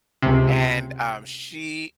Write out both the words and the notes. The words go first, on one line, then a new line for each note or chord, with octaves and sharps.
and, um, she
C#2 C3